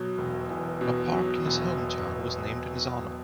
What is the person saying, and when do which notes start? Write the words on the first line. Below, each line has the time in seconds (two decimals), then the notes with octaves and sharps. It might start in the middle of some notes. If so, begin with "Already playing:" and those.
A park in his home town was named in his honour.
Already playing: B2 F#3
0.18 E1
0.50 E2
0.81 B2
1.12 F#3
1.45 E1